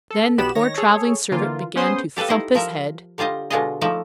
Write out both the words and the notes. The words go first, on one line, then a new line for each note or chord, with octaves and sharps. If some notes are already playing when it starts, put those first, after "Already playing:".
Then the poor travelling servant began to thump his head.
A4
B1 B3 G4 B5 E7
D#3 C#5 A#6
G#4 A4 C#5
D3 E3 A#3 F4
B3 C#4 G#4 C5 C6 D#6
G4 A4 B4 F5 G5
D#4 E4 C5 D#5
F3 A#4 E5 A#5
D3 G3 F4 C5 D#5
B2 D3 G#3 F4 G#4 D#5
F3 A3 D#4 D5 E5